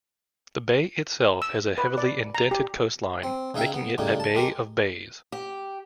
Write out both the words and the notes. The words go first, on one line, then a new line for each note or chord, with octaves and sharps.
The bay itself has a heavily indented coastline, making it a bay of bays.
E6
B4
D5
A#5
G4
C4
C#3 D#4 E5 F5 G5
B3
A2 C#3 G3 D#4
A5
G#3 G4 A#4
G4